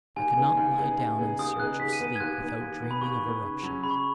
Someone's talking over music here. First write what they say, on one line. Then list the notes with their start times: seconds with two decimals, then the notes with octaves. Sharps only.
I could not lie down in search of sleep without dreaming of eruptions.
0.16 D#2 G#5
0.30 G#5
0.37 C#3 B3 D#4 G#4
0.57 D#2
0.77 C#3 B3 D#4 G#4
0.97 D#2
1.18 C#3 B3 D#4 G#4
1.39 D#2 D#6
1.59 C#3 B3 D#4 G#4 F#6
1.79 D#2 B6
1.93 D#7
1.99 D#3 B3
2.07 D#7
2.16 G#6
2.20 D#2 F#6
2.40 D#3 B3
2.61 D#2
2.81 D#3 B3
2.91 B5
3.01 D#2 C#6
3.22 D#3 B3
3.42 C#3
3.62 F#3 C#4
3.83 C#3 B5
3.91 C#6